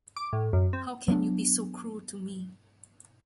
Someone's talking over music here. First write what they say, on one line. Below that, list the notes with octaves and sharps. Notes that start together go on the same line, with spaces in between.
How can you be so cruel to me?
D6
A2
F#2
C4
F#3 B3 C#4 D4